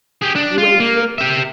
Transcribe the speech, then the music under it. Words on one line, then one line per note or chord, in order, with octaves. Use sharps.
"You ain't fit."
G4 G#4
D4
F4
A#3
G4 E5